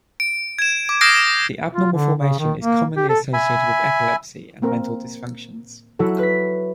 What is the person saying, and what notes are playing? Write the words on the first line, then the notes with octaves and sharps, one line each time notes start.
The abnormal formation is commonly associated with epilepsy and mental dysfunctions.
D7
G#6 E7
D6
D#6 F6 G6 A#6 C7 D7
F4
D3
C#3
D#3
A#3
G4
A4
E5 G#5 B5
A#3 C4 A#4
F#3 E4 A4 F#5
B4 B6